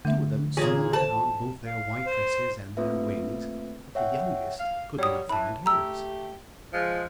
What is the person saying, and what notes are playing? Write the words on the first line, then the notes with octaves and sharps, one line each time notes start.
Two of them soon had on both their white dresses and their wings; but the youngest could not find hers.
D3 A3 E5
A#2 E3 F4 G#4 C#5
A4 C5 A5
F5
C5
A3 A#3 C4 F4 B4 E5
C#5 E5 F#5 G5
F5
F#3 G3 C#5 D#6
E3 A5 B5
A3 G4 A#5 E6
F3 G#3